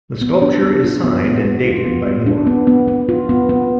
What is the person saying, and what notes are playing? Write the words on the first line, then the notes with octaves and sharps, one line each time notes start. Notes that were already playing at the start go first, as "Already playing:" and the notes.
The sculpture is signed and dated by Moore.
B3
D4
B3
F4
B3
B3
B3
F4
B3
B3
D4
B3
B3
B3
F4
B3
B3